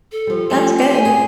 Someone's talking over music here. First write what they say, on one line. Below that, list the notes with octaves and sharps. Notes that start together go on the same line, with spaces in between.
That's good.
A4
F3 G3
E3 F3 G3 A3 C#4 F4
G4 C5
G#5
A#2 G#4